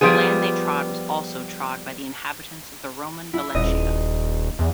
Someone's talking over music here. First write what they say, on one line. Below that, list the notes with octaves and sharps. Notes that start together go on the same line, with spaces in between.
The land they trod was also trod by the inhabitants of the Roman Valentia.
F3 G3 B3 G#4
E4
D#1 D#5
E2